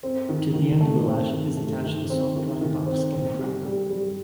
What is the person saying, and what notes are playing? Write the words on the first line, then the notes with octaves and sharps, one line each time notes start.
To the end of the lash is attached a soft, dry, buckskin cracker.
C4
D#3
D#3
A3
C4
D#3
A3
D#3
C4
D#3
D#3
C4
C4
G3
G3
G3